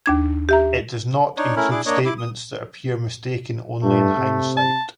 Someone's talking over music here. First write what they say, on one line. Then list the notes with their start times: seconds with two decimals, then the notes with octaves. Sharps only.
It does not include statements that appear mistaken only in hindsight.
0.06 D#2 D4 G#6
0.49 G4 E5 A#5
1.37 D4 D#4 C#5
1.56 A3 C#4 E4 A#4
1.71 D4 E4 G#4 D6
1.86 A#3 D4 C#5 D#5
2.05 E4 D6
2.18 D#6
3.84 G2 A3
4.17 C3
4.57 A5